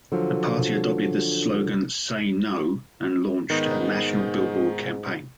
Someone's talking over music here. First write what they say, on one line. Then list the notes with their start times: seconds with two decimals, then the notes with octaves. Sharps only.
The party adopted the slogan "say no" and launched a national billboard campaign.
0.12 D3 F3 F#3
3.50 G#2 D#3 B3 D#4